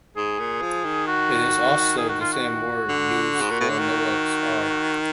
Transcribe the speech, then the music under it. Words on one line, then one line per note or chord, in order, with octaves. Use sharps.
It is also the same word used for Noah's Ark.
G#2 G#4
A#2
F3
D#3
F#4
G#4
F#4
F4
F#4
D3
G#2
A#2
B2
D3
D#3
F#4